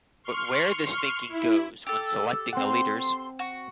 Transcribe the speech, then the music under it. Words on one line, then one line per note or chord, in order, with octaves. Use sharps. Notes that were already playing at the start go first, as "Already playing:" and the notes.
But where this thinking goes when selecting the leaders.
C6 C#6 F6
E4
G4 A4 E6
C4 F#5 C6
F#4